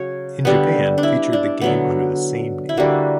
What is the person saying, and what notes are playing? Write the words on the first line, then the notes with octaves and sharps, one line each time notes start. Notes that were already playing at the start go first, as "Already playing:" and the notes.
In Japan, featured the game under the same name.
Already playing: C#3 F#3 C#5
D3 G3 B3
D4
E4
D4
D3 F#3 B3
E4
D3 G3 A#3 F#4